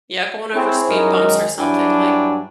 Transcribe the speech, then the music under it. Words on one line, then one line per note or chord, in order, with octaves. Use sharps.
yeah, going over speed bumps or something, like
C4 E4 G#4 C#5
F#2 D#4 A#4
D#3 G#3
G2 F#3 D4 E4 G5 G#5